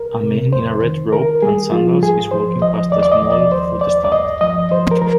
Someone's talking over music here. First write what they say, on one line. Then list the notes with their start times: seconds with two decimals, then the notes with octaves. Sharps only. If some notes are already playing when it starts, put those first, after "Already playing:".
A man in a red robe and sandals is walking past a small food stand.
Already playing: C2 A#4
0.23 C3
0.52 F2 C5
0.82 D#3
1.12 D#3 A#4
1.42 G3 G#4
1.72 F3 F4
2.02 G#2 G#4
2.31 F3 C5
2.62 F3 D#5
2.91 D#2 D5
3.03 D5
3.12 D#5
3.21 F3
3.32 D5
3.52 D#2 C5
3.81 D#2 D5
4.05 D5
4.12 G2 D#5
4.41 F3 D#5
4.71 F3 C5
4.91 A#4
5.02 F3 A#4